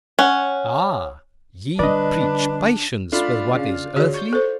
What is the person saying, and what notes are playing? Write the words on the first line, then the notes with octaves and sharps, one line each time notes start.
Ah! ye preach patience with what is earthly?
C#4 F#5
D3 G3 D4 B4 D5 D#5
A3 D4 F4 B5
C#3 F5
D2 F#4 G#4 C#5
C#6 G6
A4 C5